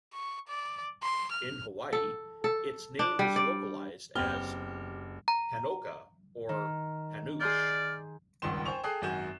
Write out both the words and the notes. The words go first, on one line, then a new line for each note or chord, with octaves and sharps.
In Hawaii, its name is localized as "panocha" or panuche.
C#6
D5
C6
F6
A4
A4
D4
G3
D5
F#1 B3 C4 G4 F6 G7
A#5
D#3
G#4 D5 C6 F6 G6
D#1 G#1 C#2 G2 C6 E7
C5 G5 G#5 C#6 F7
G#4 A4 G5 D#6 F#6 C7
G#1 F#2 F#4 G#5 G6 E7